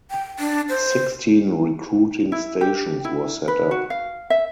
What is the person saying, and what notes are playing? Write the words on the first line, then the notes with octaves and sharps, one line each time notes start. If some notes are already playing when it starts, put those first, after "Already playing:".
Sixteen recruiting stations were set up.
G5
D4
C5
E4
G4
E4
B4
F#4
F5
E5